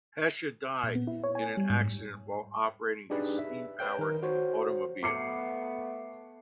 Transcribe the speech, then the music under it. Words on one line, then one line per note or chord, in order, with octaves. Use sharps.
Pesha died in an accident while operating his steam-powered automobile.
A#2
B3
E4
C#5
G#5
G3
G#2
D4 D#4 G4 G#4 B4 D5
E5
B4 C#5 G5 G6
D#3 A#4
F#4 C5 C#5
A3 B3 D6 C7 C#7